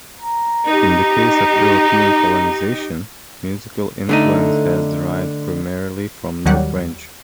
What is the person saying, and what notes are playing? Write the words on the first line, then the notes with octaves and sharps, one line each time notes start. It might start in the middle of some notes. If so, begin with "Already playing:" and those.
In the case of European colonization, musical influence has derived primarily from the French.
A#5
D#4 G4
D3 A3 D#4
D#2 D#3 F#3 G3 F#5